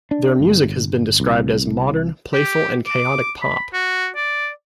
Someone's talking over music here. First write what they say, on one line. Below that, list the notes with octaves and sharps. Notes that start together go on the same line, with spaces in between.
Their music has been described as modern, playful and chaotic pop.
D4
G1
C2
G4
D6
B5
F#4
D5